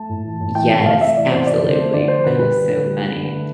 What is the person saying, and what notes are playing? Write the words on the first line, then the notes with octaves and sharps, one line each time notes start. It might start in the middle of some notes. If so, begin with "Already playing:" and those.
Yes. Absolutely. That is so funny.
Already playing: A3 A5
A2
E3
A2
E3 G5
C3 A5
A3 F5
C3 E5
E3 D5
C3 C5
F3 D5
D3 D5
C5
A3
D3 D5
F3 C5
D3 B4
G3 B4
D3
D3
G3
G3
D3
A3